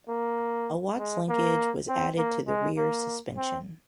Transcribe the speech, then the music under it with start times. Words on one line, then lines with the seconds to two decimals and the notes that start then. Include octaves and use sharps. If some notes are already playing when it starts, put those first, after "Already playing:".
A Watt's linkage was added to the rear suspension.
0.09 A#3
0.98 G#3
1.29 A#3
1.88 C4
2.18 A#3
2.47 G#3
2.77 A#3
3.37 C4